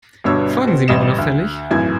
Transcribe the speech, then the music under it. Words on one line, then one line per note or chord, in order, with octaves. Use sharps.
Folgen Sie mir unauffällig.
G1 G2 B2 D4 C#5 E6
B2 C4
A1 G3 D#5 E7
D2
G#1 F#2 A2 E3 G#5 G#6